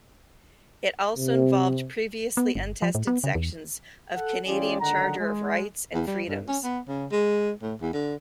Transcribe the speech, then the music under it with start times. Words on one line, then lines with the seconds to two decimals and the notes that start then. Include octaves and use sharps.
It also involved previously untested sections of Canadian Charter of Rights and Freedoms.
1.17 C3
2.37 B3
2.55 G1
2.82 F3
2.95 A2
3.07 B3
3.24 C#3
3.35 E2
4.15 A4 F#5
4.46 E3 C#4 F4 G4 G#4 D5
4.80 C#2 D3 D#3 F#5 A#5
5.20 G#3
5.94 E2
6.07 G3
6.28 G2
6.48 C#4
6.64 B3
6.88 C#3
7.12 G#3
7.62 A2
7.81 E2
7.93 D3